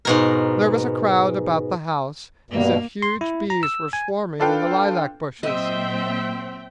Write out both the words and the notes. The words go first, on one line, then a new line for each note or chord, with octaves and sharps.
There was a crowd about the house as if huge bees were swarming in the lilac bushes.
G#2 B2 A#4
G2 B2 A#3
C6
E4
A#5
E6
G#5
D4 F4 A4 B4 F5 G5
A#2 F#3 C4 C5 D#5 E5 G5